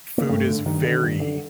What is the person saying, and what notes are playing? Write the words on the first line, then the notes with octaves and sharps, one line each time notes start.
food is very
A#3
G2 A3
D3
G2 D#3
D3
G2
D3